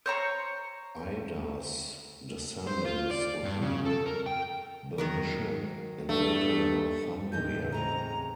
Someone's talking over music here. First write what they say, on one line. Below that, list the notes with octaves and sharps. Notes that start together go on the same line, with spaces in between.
Ida's descendants would rule Bernicia and later Northumbria.
C5 C#5 A#5 C#6
C5
F4
D5
G2
C#3
A4
A#4
G5
D#3 F#3 A#4
G2 A3
E2 A2 D#3 G3 G#3 G6
C#3 G#3 C4 A#5